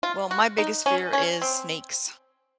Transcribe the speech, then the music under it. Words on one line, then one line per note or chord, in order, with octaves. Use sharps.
well, my biggest fear is snakes.
F4
F#4
D#4
C#4
C#4
C4